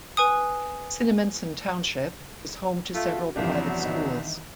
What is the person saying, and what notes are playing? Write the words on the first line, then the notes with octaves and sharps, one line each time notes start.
Cinnaminson Township is home to several private schools.
B4 G#5 D#6
A3 F4
F#4
F#1 C2 C3 E3 F3 A#3 D4 G4
F#3 B3
D#3 E3